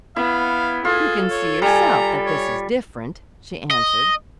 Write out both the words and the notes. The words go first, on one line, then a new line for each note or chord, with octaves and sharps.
"You can see yourself that this is different," she answered.
B3 E4 F5
F4 G#4 A4
C#5
G3 G#5 A#5
C#5
D#5